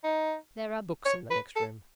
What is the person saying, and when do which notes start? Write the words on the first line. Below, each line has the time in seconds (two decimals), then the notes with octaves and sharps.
There are books in the next room.
0.04 D#4
1.05 C#5
1.31 B4
1.56 A4